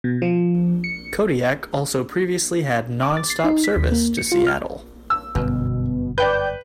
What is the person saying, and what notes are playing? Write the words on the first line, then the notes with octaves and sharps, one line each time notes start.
Kodiak also previously had nonstop service to Seattle.
B2
F3
C#7
D6
A6
C7
D#4
B6
D#2
A#3
C#7
F4
F6
E6
G1 F#2 B2
B4 D5 G5 G6